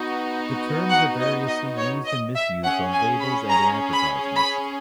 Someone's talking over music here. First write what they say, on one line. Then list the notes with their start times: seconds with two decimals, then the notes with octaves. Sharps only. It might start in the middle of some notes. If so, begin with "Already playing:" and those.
The terms are variously used and misused on labels and in advertisements.
Already playing: B3 D#4 F#4
0.90 F#5
1.19 D#5
1.47 D#5
1.77 C#5
2.06 D#5
2.34 E5
2.63 C#4 G#4 F#5
2.92 G#5
3.20 B5
3.49 A#5
3.92 B5
4.36 B5